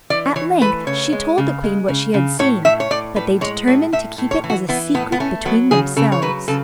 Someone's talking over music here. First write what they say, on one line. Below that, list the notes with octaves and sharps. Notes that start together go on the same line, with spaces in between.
At length she told the queen what she had seen, but they determined to keep it as a secret between themselves.
E3 D5
E3 C#5
A3 B4
C#3 C#5
G#3
C#3
G#3
C#3
C#3
A2 C#5
A2 E5
C#5
A2 D5
A2 B4
G#3 C#5
A2 C#5
A2 E5
A2
C#5
E3
F#4
E3 B3
A2 B3
B3
A3 C#4
F#3 B3
C#3 G#4
C#3 A4
C#5
F#3 B4
C#3 A4